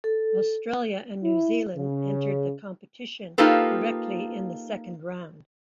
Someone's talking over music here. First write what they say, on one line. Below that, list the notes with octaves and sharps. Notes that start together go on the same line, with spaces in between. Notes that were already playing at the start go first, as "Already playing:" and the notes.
Australia and New Zealand entered the competition directly in the Second Round.
A4
E4
C#3
A#3 D#4 F4 G4 A4 B4